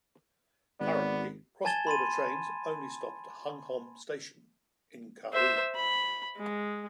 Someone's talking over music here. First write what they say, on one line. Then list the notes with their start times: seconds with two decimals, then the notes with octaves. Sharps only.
Currently cross-border trains only stop at Hung Hom Station in Kowloon.
0.80 G#1 B3 D5
1.65 G#5 A5 G#6 A6 E7 G7
1.87 B5 C6 A6 D#7
5.33 C5 E5
5.76 B5
6.37 G#3